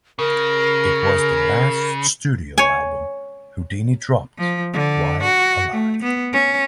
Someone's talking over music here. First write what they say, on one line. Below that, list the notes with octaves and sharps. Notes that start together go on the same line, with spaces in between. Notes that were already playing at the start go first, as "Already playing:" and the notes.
It was the last studio album Houdini dropped while alive.
C#3 A#4
C#5 G#5
F3
D3
F#4
A3
B3
C#4